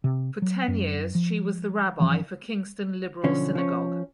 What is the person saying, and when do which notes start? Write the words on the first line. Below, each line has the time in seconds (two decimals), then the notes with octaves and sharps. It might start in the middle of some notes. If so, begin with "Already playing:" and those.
For ten years she was the Rabbi for Kingston Liberal Synagogue.
0.04 C3
0.42 F#3
0.68 F#2
1.15 F3
1.99 G1 E3 F3 C#4
3.23 B1 D3 F3 C#4
3.55 F3 C#4